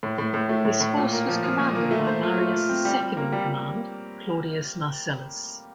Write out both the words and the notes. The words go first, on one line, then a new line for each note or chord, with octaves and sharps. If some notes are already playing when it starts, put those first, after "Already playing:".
This force was commanded by Marius's second-in-command, Claudius Marcelus.
A2
A2
A2
A3
A2
A2
A#2
A#3
F3
F3
A#2
A#3
A3
C5
F4
A3
F4
C4
G3
G3
A#3
G3
G3